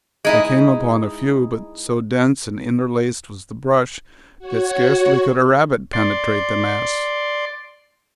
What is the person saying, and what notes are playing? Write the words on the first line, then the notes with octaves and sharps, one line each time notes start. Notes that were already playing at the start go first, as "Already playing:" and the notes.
They came upon a few, but so dense and interlaced was the brush that scarcely could a rabbit penetrate the mass.
G#3 D#4 E4
F#4 C#5
D5 C6